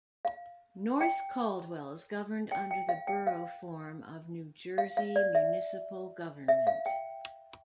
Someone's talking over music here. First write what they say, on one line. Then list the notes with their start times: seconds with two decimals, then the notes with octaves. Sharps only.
North Caldwell is governed under the Borough form of New Jersey municipal government.
0.25 F5
1.01 G5
2.52 G5
2.71 G5
2.89 F5
3.07 G5
3.27 F5
4.78 F5
4.97 F5
5.16 D5
5.35 E5
6.48 E5
6.67 F5
6.86 G5